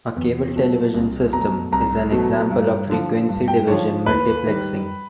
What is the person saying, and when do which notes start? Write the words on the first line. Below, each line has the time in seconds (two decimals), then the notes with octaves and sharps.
A cable television system is an example of frequency-division multiplexing.
0.16 E2
0.56 B2 F#3 A3
0.94 C2
1.33 B2 F#3 A3 A#5
1.72 C2 A#5
2.12 B2 F#3 A3
2.50 G2
2.90 D3 F3
3.29 G2
3.48 G5
3.67 D3 F3 C#5
4.06 D#2 B4
4.46 D#3 G3